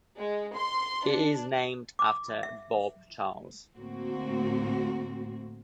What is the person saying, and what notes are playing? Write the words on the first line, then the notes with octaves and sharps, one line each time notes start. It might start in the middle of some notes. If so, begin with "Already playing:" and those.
It is named after Bob Charles.
G#3
C6
D4
D6
E5
D2 A2 A#3 C4 F#4